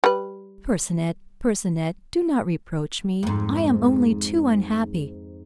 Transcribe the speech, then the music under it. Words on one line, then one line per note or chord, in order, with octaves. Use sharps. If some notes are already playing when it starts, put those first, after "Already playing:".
"Percinet, Percinet, do not reproach me; I am only too unhappy."
G3 B4
F2 G#2